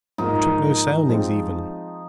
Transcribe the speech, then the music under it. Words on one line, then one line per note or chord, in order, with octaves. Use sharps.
You took no soundings even.
G#2 F3 A#3 D#4 F4 A#4
F3 G#3 C4